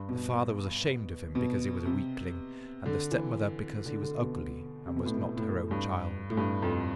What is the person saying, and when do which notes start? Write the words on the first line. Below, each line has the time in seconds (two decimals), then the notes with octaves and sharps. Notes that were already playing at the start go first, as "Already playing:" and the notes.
The father was ashamed of him because he was a weakling, and the stepmother because he was ugly, and was not her own child.
Already playing: G2
0.09 B2
1.35 B2
1.85 C3
2.86 D3
3.11 E3
3.86 D3
4.03 D3
4.20 B2
4.87 C3
4.96 B2
5.06 A2
5.15 B2
5.37 A2
5.54 A2
5.71 G2
6.30 A2
6.37 G2
6.62 F2